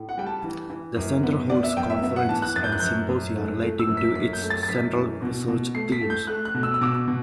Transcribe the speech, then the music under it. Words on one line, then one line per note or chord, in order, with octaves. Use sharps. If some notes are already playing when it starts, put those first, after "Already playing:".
The Centre holds conferences and symposia relating to its central research themes.
Already playing: A2
F#5
G3 G5
A5
E3
E3
F#2
B3
B3 D5
E5
F#2 G5
E5
B3 E5
F#5
E3 A5
F#6
F#2 A6
G6
F#6
F#2 G6
F#2
A3
A3
E6
F#2
B6
F#2 B6
G6
A3
A6
A6
F#2 B6
E3
B2
B2
A3 C7
B6
A3
G6
A3 F#6
F#6
B2
E6
E6
B2 D6
B2